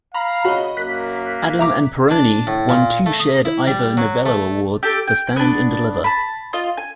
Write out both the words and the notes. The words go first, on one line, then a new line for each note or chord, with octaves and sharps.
Adam and Pirroni won two shared Ivor Novello Awards for "Stand and Deliver".
F5 A#5 B5
C#3 F#4 D#5 B5
F#2 A#3 F#6 B6
E5 A#5 D6
D4
A2
A#2
A3
D#6
E4
G3
F#3
A3
G4 A4
G5
B3 D4
A5 B5
F4 D#5
G#5